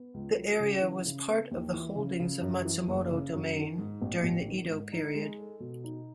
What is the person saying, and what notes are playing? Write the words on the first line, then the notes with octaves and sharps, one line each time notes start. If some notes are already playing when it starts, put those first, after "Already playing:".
The area was part of the holdings of Matsumoto Domain during the Edo period.
Already playing: B3
C#2
F#3
C#3
E3
C#3
B3
D#2
E3
C#3
C#3
F#2
E3
F#1
C#3
F#2
D#3
G#2
A1
A1
D#3
G#2
D#4
G#3
A4
B2
D#4